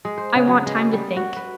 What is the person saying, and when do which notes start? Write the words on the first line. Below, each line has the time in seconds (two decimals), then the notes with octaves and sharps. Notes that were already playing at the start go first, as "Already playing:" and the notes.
"I want time to think."
0.05 G#3
0.18 C5
0.35 C#3
0.48 F#3
0.66 G#3
0.93 G3
1.16 F#4
1.36 B4